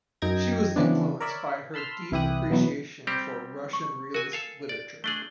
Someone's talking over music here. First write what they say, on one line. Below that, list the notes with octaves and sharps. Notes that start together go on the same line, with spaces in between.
She was influenced by her deep appreciation for Russian realist literature.
F#2 D#4 G5 A#5 G#6 A#6
C#3 E3 G#3 B3 C4 D4
A#4 C#5 D5 E5 B5
A5 B5 C6 E6 F6
C2 E3 E4 G4 D#6 F#6
B2 E3 F#3 B3
G3 C4 G4
C#6
F#4 A#4 G#5
A4 F5 G#5
D5
A3 D4 G#4 F#7 G7